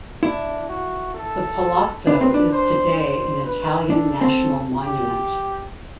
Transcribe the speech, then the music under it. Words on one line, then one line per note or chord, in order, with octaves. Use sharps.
The palazzo is today an Italian national monument.
D4 E4
F#4
A4
D4 B4
C4
D4
C5
C5
B4
D4 A4
C4
G4